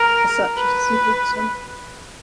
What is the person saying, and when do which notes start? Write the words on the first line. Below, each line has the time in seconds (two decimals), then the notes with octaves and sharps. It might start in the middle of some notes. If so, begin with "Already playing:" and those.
As such, it is suitable for swimming.
Already playing: A#4
0.56 B4